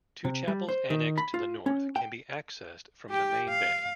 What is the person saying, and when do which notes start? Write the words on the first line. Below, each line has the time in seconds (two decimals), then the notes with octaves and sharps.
Two chapels annexed to the north can be accessed from the main bay.
0.25 C3
0.48 G3
0.69 C5
0.90 D#3
1.18 B5
1.34 F4
1.66 C#4
1.96 G5
3.10 G4 G5
3.49 F5